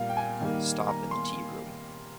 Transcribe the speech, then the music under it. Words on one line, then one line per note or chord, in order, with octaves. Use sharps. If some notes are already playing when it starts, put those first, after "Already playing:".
Stop in the tea-room.
Already playing: A#2 G3 A#3 F5
G5
G#5
D#3 G3 A#3
A#5
C6